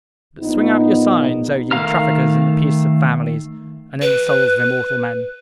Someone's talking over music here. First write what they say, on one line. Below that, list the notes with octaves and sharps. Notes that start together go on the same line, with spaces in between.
But swing out your signs, oh ye traffickers in the peace of families, and in the souls of immortal men!
A#1 B3 D#4
D#3 A3 F5 A#5 F6
B4